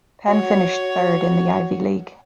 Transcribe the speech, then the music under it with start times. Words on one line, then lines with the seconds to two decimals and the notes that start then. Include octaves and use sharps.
Penn finished third in the Ivy League.
0.28 F#4 C#5